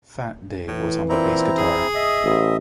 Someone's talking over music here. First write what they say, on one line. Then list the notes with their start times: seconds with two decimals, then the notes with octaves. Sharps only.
'Fat' Dave was on the bass guitar.
0.68 A2 E3
1.09 A#2 C4 E4 A#5
1.58 G#4
1.95 D#5 E5
2.24 A1